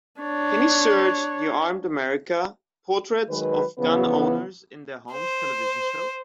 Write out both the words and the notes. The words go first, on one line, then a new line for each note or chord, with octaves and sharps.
Can you search the Armed America: Portraits of Gun Owners in Their Homes television show?
D4 C#5
D#3 F#3 G#3 B4
C#3 E3 F3 B3 B4
C5